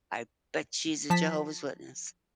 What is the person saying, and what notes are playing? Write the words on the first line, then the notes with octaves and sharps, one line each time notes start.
"I bet she's a Jehovah's Witness."
F3 A5 B6